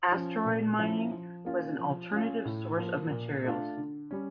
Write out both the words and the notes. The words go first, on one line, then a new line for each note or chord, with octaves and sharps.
Asteroid mining was an alternative source of materials.
F3 C#4
A#2
F3 C#4 E4
F3
A#3 C#4 F4
F3
C#4 F4
A2
F3 A#3
A#2
A3 D4 F4
D3
G3 C#4